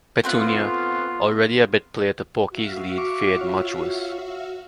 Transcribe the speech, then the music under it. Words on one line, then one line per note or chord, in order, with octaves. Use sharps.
Petunia, already a bit player to Porky's lead, fared much worse.
A3 B3 C4 F4 F#5
F#4 E5 F5
C#6 D6
F4 C#5